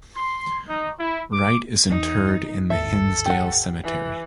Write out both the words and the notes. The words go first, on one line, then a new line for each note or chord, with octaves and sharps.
Wright is interred in the Hinsdale Cemetery.
C6
D#4
E4
D6
E2 D#4
G1 D#2 G#2 A4 E5
G4 F#5
E3